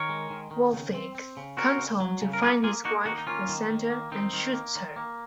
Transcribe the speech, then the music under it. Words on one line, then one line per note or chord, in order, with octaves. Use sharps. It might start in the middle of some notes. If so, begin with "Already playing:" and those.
Wolfy comes home to find his wife with Santa, and shoots her.
Already playing: D#3 A#4 C#5
G#3
D#3
D#3
C#3
C4
C4
C#3
C4 F#4 A#4
C#3
F#3
C#3
A#4
A#3 F4 G#4
A#3 F4 G#4
A#3 D#4 F#4
D#3 D#4 F#4
D#4
A#3 C#4 F4
D#3
D#3
A#3
D#3 C4 D#4
D#3
A#3
D#3
A#3